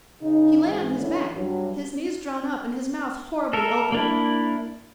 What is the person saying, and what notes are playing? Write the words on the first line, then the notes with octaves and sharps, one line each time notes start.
He lay on his back, his knees drawn up, and his mouth horribly open.
C#3 D#4
G#2 E3
D3 E3 C#4 E4
G2 F#3
A4 A#4 E5
A#3 D4 E4